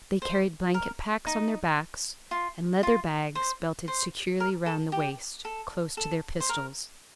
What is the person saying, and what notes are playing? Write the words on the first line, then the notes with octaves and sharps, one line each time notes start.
They carried blanket packs on their backs and leather bags belted securely round the waist close to their pistols.
C5
A#4
D#4
F4
F4
C5
C5
A#4
A4
G4
A4
A4
C5
A#4